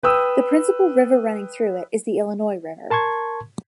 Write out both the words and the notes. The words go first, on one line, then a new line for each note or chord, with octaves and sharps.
The principal river running through it is the Illinois River.
B4 G5 D#6 E6
A#4 A5 C6 C#6 G#6